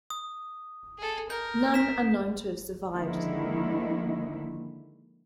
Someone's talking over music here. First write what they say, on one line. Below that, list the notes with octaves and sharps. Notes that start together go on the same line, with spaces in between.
None are known to have survived.
D#6
G#4 A4
A#4 G6
B6 E7
D3 D#3 F3 G#3 A#3 E4